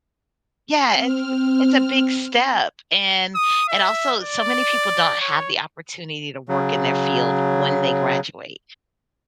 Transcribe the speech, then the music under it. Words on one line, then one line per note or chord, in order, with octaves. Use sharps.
Yeah, it's the it's a big step and and also so many people don't have the opportunity to work in their field when they graduate.
C4 F6
D#6
E5
D5
C#5
C#3 F#3